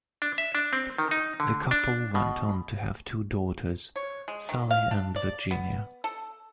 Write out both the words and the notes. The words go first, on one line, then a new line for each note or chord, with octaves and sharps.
The couple went on to have two daughters, Sally and Virginia.
D4
E5
D4
C4
D#3
D#4
D3
D4
B2
C#5
G#3
D#3
F5
D4
D5
B3
A4